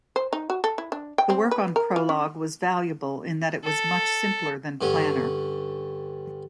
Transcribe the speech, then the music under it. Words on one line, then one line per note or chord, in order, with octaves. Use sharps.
The work on Prolog was valuable in that it was much simpler than Planner.
C5
D#4
F#4
A4
E4
D4
G5
C4
B4
A#4
F4
C#4
A4
G2 D3 C#4